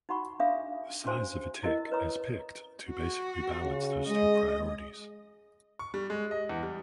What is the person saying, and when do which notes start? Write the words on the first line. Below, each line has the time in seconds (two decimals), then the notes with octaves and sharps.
The size of a tick is picked to basically balance those two priorities.
0.09 D#4 F#4 F#5 B5 C#6
0.40 D4 G#4 E5 F5 D#6
1.04 C#4 D4 F#4 C5 G#5
1.63 E4 A#4 D#5
1.92 B4 C#5 A#5 D#6
2.91 F#4
3.63 C#3
4.07 G#3 D#5
5.79 C#6
5.94 G3
6.10 G#3
6.31 D#5
6.49 E2
6.63 G3